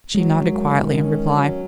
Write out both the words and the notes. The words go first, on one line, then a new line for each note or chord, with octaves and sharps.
She nodded quietly in reply.
F#3 G#3
F#2
D#3
C#4
F#3